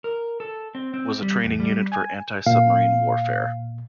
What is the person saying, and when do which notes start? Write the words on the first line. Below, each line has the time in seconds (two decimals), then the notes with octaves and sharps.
Was a training unit for antisubmarine warfare.
0.04 A#4
0.40 A4
0.75 C4
0.94 C4
1.22 G3
1.44 E2
1.60 G3
1.92 G#5
2.46 A#2 F5